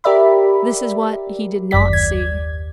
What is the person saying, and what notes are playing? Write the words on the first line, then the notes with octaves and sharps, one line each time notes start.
This is what he did not see.
G4 A#4 D5 E5 B5
G1 F#2 D5 B6
D#2 G#6